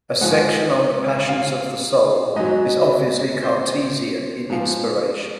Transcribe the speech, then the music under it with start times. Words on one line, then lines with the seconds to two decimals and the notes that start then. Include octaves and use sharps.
A section on the passions of the soul is obviously Cartesian in inspiration.
0.21 G#2 F3 F#5
1.29 F5
2.36 G#2 F#3 D#5
3.43 C5
4.50 G#2 F3